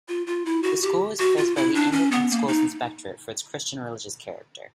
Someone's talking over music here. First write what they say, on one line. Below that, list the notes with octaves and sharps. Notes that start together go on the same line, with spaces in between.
The school was praised by the Anglican schools inspectorate for its Christian religious character.
F4
F4
E4
F#4
G4
F#4
F4
E4
D4
C#4
B3
A#3
D#4